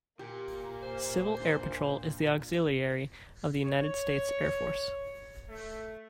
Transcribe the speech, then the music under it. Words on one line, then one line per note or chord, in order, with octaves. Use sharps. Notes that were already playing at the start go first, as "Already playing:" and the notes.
Civil Air Patrol is the Auxiliary of the United States Air Force.
A#2 A#3 G4
C5
D4 C6
C#5
A3